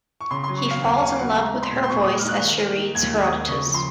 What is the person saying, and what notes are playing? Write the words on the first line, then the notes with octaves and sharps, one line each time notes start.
He falls in love with her voice as she reads Herodotus.
C#6
C#3 C6
F#3 C6
C#6
C4 F5
D#2 F#5
C#3 G#5
F#3 F#5
G#3 A#5
D#4
C6
A#2
C6
A#2 C#6
G#3 D#6
F6
D#4 F#6
D#3
A#3
D#4
D#2 G#6
D#3
D#6
A#3
C#3 C#6
F3
C6